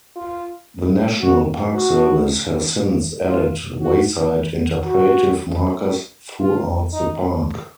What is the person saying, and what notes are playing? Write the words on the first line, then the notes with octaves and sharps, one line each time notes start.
The National Park Service has since added wayside interpretive markers throughout the park.
F4
F#4
F#4
F4
F#4
F#4
F4
D#4